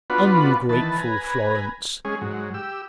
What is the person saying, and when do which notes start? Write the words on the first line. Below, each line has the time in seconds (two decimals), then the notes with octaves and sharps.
Ungrateful Florence!
0.10 B3 D4 F4 F#4 B4
0.69 D#3 E3 B4 A5
0.98 B4 G#5 A#5
2.05 G#3 C#4 G#4
2.21 G#2 F#3
2.54 G4 E6